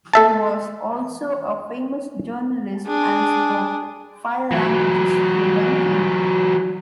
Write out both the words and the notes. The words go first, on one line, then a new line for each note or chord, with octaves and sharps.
He was also a famous journalist and spoke five languages fluently.
A4 E5 A5
D4 G#4
E3 F#3